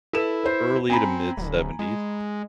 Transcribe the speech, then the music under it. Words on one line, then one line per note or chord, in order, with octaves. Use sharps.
early to mid-seventies,
E4 A4 B4 E7
B4 C5
C4 G#5 A#5 B5
D1
G#3